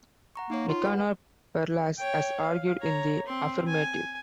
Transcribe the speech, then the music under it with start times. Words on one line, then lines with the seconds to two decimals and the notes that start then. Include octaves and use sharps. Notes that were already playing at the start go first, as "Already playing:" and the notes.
Nicanor Perlas has argued in the affirmative.
0.36 F#5 A#5 C#6
0.50 A#3 D#4 C#5
0.68 F4
0.84 G#4 B4 F#5
1.98 C#5 G5
2.40 F5
2.80 C#5 A#5
3.26 C4 C6
3.67 G#5